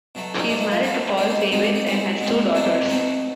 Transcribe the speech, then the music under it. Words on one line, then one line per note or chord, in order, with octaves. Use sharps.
She is married to Paul Sayvetz, and has two daughters.
B2 F#3 A3
D#4
B2 F#3 A3 D4
E4
F4
B2 F#3 A3 D#4
B2 G#3 C4 D4
D#4
E4
B2 G#3 C4 D#4
D4
D#4
B2 G#3 C4 E4
B2 G#3 C4
B2 F#3 A3 C4 D4
B2 F#3 A3 C4 D#4